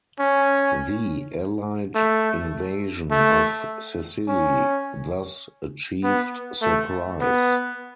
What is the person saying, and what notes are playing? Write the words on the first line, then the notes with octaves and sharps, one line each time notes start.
The Allied invasion of Sicily thus achieved surprise.
C#4
A3
A3
C#4
B3
A3
B3